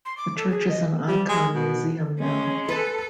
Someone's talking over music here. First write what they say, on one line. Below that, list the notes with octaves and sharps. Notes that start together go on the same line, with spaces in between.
The church is an icon museum now.
C6
D6
A4
G#4
D#5
G3
G#3
B2
G#3 C#4
A4 B4 A5